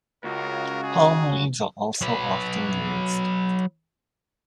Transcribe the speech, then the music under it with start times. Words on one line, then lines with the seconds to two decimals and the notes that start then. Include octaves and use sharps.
Palm leaves are also often used.
0.24 C#2 C#3 F#4 A#4
0.83 G#4
2.02 F#3 B4